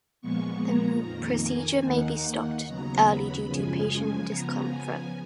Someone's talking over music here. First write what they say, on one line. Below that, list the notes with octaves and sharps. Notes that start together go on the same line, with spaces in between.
The procedure may be stopped early due to patient discomfort.
A#2 F3 G#3 B3 C#6
A#5
F2 D#3 A#3
G#5
D#2 D#3 A#3 D#4 F#5
D#2 C#3 F#3 B3 A#5
B5
F#2 C#3 F3 G#3 G#5
G#5
C#3 F3 B3 A#5
G#5